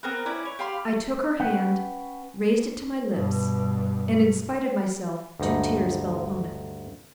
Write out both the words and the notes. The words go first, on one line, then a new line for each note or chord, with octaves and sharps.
I took her hand, raised it to my lips, and in spite of myself two tears fell upon it.
B3 C4 A#4 B4
C#4 E4 B4 D5
C#5
G4 F5 B5 C6
C#4 B4 F#5 G5
G2 B2
D2 G2 D#4